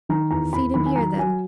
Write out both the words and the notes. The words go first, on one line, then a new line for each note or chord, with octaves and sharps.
'Feed him here, then.
D#3 A#5
E2 A#5
E2 B5
D#3 B5
G#5
F#3 A#5
F#3 G#5